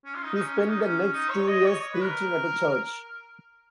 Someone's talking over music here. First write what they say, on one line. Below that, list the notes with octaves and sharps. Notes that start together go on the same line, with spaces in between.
He spent the next two years preaching at a church.
C#4
F4
D#4
D#4
C#4
C#4
D#4
C#4
D#4
C#5
D#5
C#5
B4
A#4